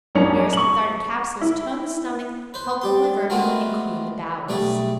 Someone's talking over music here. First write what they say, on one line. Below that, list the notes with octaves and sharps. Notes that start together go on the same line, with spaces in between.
Mares Cathartic Capsules tone the stomach, help the liver and clean the bowels.
A#1 F#2 C#4 D4 C#7 F7
C#6 F#7
E4
B4 C5
G3 G4 C6
G#3 A3 B3 C4 F#4 A#4
B1 G3 A3 G#4 C#6